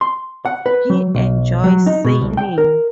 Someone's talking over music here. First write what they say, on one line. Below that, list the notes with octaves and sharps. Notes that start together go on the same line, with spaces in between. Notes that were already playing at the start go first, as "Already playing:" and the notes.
He enjoys sailing.
C6
F#5
B4
F#3
B1
F#3
D#4
B2
C2
G5
A#4